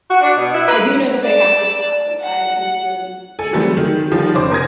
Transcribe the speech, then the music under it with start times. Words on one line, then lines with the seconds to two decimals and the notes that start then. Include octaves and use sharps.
I do know that they have to stop, and I am just an impatient driver.
0.10 F#4
0.21 D4
0.36 B2
0.53 E4
0.68 B4
1.23 D5 E6
2.20 F#5
3.39 A4 G#5
3.53 D#3 E3 F#3 G3 A3 C4
3.77 D#3
4.11 D#3 F3 G3
4.35 F1 C#4 C5 D6
4.51 A#4 G#5 D#6 G#6 A#6